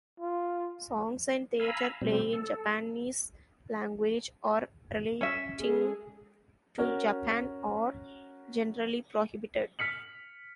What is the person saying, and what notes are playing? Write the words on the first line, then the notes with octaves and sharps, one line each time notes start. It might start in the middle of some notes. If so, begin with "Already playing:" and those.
Songs and theater play in Japanese language or relating to Japan are generally prohibited.
F4
F5 G#5 A#5 B5 E6
B2 G3 C4
A4
C#4 E5
G#3 G#4 A4
C#4 F#4 A#4
F6 B6 C#7 F#7